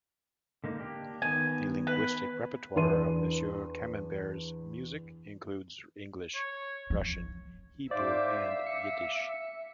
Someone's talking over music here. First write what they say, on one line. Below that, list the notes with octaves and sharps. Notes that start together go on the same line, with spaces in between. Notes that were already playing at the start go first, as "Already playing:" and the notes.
The linguistic repertoire of Monsieur Camembert's music includes English, Russian, Hebrew and Yiddish.
D3 A#3 D#4
A#3 D4 G4
D#3 B3 G#5
B4
E2 D4 B4 C6 D#7
C#5
F3
G#2 C5 D5 E5 F5 D6
D6 C#7